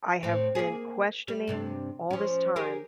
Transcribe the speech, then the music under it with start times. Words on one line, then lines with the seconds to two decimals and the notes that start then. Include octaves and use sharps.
I have been questioning all this time
0.23 A2 C4
0.55 A#3 G#4
1.28 G3
1.47 G2 C3 D4
2.10 F3 C#4
2.56 G4 G#4 A#4